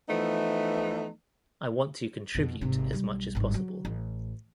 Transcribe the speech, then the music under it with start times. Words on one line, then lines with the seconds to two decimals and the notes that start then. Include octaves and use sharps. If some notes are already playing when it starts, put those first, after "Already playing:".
I want to contribute as much as possible.
0.09 E3 F3 A3 B3 D#4
2.35 F2 B2
2.61 G#1 C3
2.93 B1 G3
3.35 G#1 G2
3.54 F#3
3.85 A1